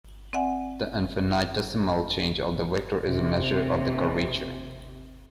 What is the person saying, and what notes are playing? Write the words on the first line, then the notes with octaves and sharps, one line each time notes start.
The infinitesimal change of the vector is a measure of the curvature.
C4 D5 E5 F#5 G#5
D#2 C3